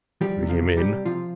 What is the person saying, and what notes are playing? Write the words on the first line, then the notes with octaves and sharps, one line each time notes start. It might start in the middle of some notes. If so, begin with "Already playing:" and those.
"Bring him in."
F3 G3 G4
C3
F3 F4
C3
G3 G4
C3
C3 F3 F4